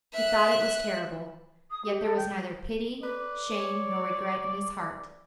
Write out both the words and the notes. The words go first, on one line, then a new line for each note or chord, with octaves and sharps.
He thought it was terrible, yet there was neither pity, shame nor regret in his heart.
E5 F#6
D#6
G4
A4
G5
B4 D5
C#5